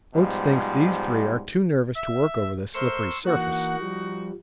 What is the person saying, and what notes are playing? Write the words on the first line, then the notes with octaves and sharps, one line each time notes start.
Oates thinks these three are too nervous to work over this slippery surface.
G#2 B2 F3 G3
E5
A3 A#4 C5 C6 C#6 E6
E3 A#3 D#4 F#4 F#5
F3 G3